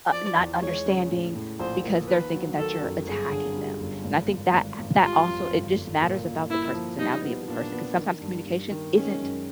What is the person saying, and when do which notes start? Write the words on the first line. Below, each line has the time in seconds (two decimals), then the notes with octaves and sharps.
n uh, not understanding because they're thinking that you're attacking them. And I think that h that also it just matters about the personality of the person 'cause sometimes communication isn't
0.12 F3 D5
0.37 E2
0.61 G#3 C#5
0.86 C#3
1.11 A2
1.36 A2
1.60 A#1 C5
1.83 A#3
2.08 D#3 B4
2.34 F#3
2.58 D#3 A4
2.82 F#2
3.07 G1 G#4
3.32 D3
3.55 G3
3.81 G1
4.05 G#1
4.30 G#1
4.53 G#1
4.79 G#1
5.02 G3 F4
5.27 F2
5.52 G1
5.76 G1
6.02 A#2
6.25 A#2
6.50 A#3 E4
6.74 F3
6.98 G3 D#4
7.24 B3
7.48 A#2 D4
7.73 B3
7.97 D#3
8.21 G2
8.46 G2
8.71 D#3
8.95 G#3 C#4
9.20 F#2